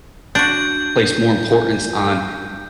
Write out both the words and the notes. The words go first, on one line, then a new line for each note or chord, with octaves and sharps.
place more importance on
D4 F#4 G6